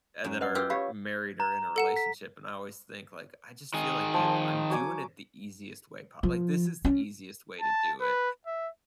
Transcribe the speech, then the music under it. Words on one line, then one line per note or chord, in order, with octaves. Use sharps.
and then are married or in a relationship, and I always think, like I just feel like the I'm doing it the easiest way po like, this is the easiest way to do it,
F#2
B4 D#5 F#5
F4 G4 B4 E6
G4 C#5 F5 B5
A#5
A4 F#5 E7
B6
D#3 G#4
F3
F#3 G#5 D6
F3
C#4
A5
B4
E5